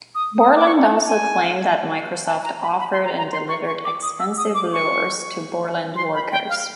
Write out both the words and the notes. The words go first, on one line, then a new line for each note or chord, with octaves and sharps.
Borland also claimed that Microsoft offered and delivered expensive lures to Borland workers.
D#6
D#6
D6
C#6
A#5
A5
G#5
A5
A#5
B5
B5
C6
A#5
A#5
C6
C#6
C#6
D6
D#6
E6
D#6
D6
C#6
C6
B5
G5
F5